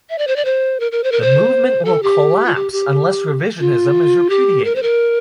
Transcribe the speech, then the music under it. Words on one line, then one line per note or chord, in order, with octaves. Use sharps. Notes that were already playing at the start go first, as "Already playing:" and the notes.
The movement will collapse unless Revisionism is repudiated.
E5
D5
C5
D5
C5
A#4
A#4
C5
A#4
C5
A4
G4
F4
G4
G4
F4
G4
A#4
C5
A#4